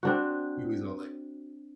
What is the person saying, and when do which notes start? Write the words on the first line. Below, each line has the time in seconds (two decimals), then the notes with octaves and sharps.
He was all like
0.03 C4 D4 F#4